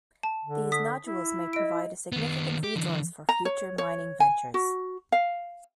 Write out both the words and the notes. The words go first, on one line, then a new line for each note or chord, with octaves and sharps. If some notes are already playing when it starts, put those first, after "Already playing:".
These nodules may provide a significant resource for future mining ventures.
A5
D3
D#6 B6
E4
D#5 D7
D#3 B3
G4
D3 E3
A#5
C#5
C#5
G#5
F#4
F5